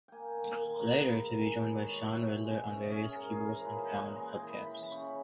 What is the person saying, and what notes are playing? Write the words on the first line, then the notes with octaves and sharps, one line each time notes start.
Later to be joined by Sean the Riddler, on various keyboards and found hubcaps.
A#3 G5 G#5
D#3
D#3
G#2
B5
D#3 A#5
D#3 G#5
B2
B4
C#5
B2 D#5
E5
B2 G5
G#3
C#4 E5
D#5
C#4 C#5
C#5
G#2 A#4
G#4
E3
A#4
A#2 B4
G#3
G#3 D#5
G5
E3
B5
E3 B5
B5
C#3 C#6